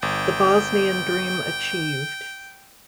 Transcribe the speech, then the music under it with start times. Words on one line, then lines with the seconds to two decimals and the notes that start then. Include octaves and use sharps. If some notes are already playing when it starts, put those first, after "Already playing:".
The Bosnian dream achieved.
0.02 G1 G5